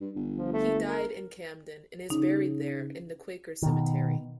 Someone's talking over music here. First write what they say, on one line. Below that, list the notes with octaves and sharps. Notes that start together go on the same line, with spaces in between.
He died in Camden and is buried there in the Quaker Cemetery.
G2
G1
F3
A3
A#4
C#3 D#4
B2 D#3